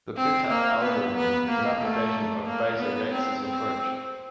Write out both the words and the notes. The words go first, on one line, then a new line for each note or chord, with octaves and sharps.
The bitap algorithm is an application of Baeza–Yates' approach.
C4
A#3
B3
B3
A#3
A3
A#3
B3
C4
C4